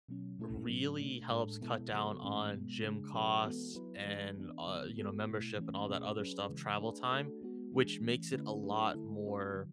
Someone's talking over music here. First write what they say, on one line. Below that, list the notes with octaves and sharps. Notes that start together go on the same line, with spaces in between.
really helps cut down on gym costs, and, uh, you know, membership and all that other stuff, travel time, which makes it a lot more,
B2 F#3 C#4
B2 A3 C#4 E4 A4
A2 F#3 C#4
B2 A3 D4
A2 G#3 D4 A4
B2 G#3 B3 E4 A4
C#3 F#3 B3 F#4 A4
A2 E3 A3 C#4
B2 G#3 B3
C#3 G#3 D4 G#4
B2 F#3 C#4 G#4 B4
E3 G#3 B3 F#4 A4
F#3 B3 E4 B4
E3 G#3 D4 G#4 B4
E3 B3 D4
D3 F#3 B3
G#3 B3 F#4 A4
B2 A3 E4
E3 A3 C#4
B2 A3 C#4 G#4
F#3 C#4 G#4 B4
C#3 E3 G#3
A3 D4 G#4 B4
A3 D4 F#4 A4
G#3 B3 F#4
E3 G#3 D4 G#4
E3 A3 C#4
D3 A3 C#4 E4 B4
F#3 A3 D4 G#4 B4
D3 A3 E4 A4
A3 C#4 F#4 B4
D3 F#3